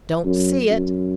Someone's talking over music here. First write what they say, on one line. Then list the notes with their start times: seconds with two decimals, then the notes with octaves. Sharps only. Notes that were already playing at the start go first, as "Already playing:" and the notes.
'Don't see it.
0.25 F#2
0.71 F#2